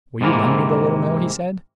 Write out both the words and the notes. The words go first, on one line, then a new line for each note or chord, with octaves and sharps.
"Will you lend me the Little Mill?" he said.
G#2 C3 E3 A#3